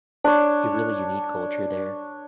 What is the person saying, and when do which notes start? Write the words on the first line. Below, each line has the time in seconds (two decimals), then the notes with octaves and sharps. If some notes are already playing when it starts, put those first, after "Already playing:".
a really unique culture there.
0.24 D4 C#5